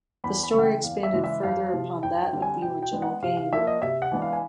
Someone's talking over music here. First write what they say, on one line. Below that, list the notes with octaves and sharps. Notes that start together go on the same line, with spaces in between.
The story expanded further upon that of the original game.
E2 B5
B5
C#3 E3 G#3 F#5
G5
E2 F5
E5
C#3 E3 G#3
E5
F2 F5
C3 F3
F2 G5
G5
D3 G3 C4
G#5
B2 G5
G5
G#3 B3 D4
F#5
C3 F5
F5
F3 A#3 E5
D#5
C3 E5
F#5
E3 G#3 B3 D4
F5
G#5